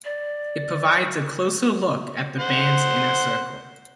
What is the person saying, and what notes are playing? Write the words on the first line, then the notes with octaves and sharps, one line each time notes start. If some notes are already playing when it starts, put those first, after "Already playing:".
It provides a "closer look at the band's inner circle".
D5
C5 F#5